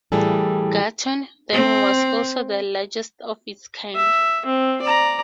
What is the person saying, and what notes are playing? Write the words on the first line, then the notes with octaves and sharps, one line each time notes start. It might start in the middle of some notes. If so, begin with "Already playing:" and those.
Gatun Dam was also the largest of its kind.
A2 E3 G3 G#4 A4
C4
E5
C4
D5 A#5